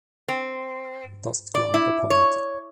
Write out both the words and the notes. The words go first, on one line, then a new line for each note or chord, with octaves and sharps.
Dust ground upon it.
C4
D5
E4
C#5